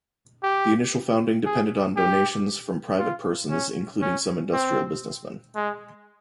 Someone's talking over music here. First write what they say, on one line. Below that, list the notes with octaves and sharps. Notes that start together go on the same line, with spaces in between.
The initial founding depended on donations from private persons including some industrial businessmen.
G4
G#4
G4
F4
C#4
C#4
C4
G#3